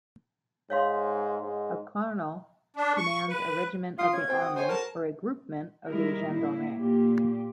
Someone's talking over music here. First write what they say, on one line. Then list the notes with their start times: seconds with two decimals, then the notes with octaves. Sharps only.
A "colonel" commands a regiment of the army or a "groupement" of the Gendarmerie.
0.70 G#2 C#5 F5 C6
1.41 G#2
2.76 D4
2.97 C#6
3.29 B4
3.98 F4 D#6
4.13 C#4 G#6
4.28 C4 C5 G5
4.40 F#4 D#6
4.56 C5 C#5 G#5
4.69 A#4 A5
5.88 D#3 G3 G#3 D#4 E4 A#4
6.24 A2 A#3 E4
6.76 A#2 A#3 G4